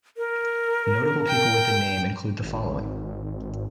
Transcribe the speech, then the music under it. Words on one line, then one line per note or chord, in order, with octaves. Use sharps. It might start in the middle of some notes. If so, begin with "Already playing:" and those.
Notable people with the name include the following.
A#4
G5
G#1